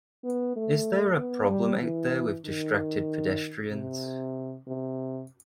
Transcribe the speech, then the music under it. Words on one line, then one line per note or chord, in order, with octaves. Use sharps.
Is there a problem out there with distracted pedestrians?
B3
A3
B3
G3
E3
D#3
C3
C3